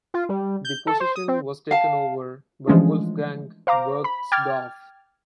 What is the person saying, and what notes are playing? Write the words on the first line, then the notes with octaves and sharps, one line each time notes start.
The position was taken over by Wolfgang Bergsdorf.
F4
G3
G6
A4
C5
D#6
C4
F5 A5
E3 F3 G#3 A3 C#4 D4
C5 F5 A#5 D6
B5
G5 D6 F6 G#6 A6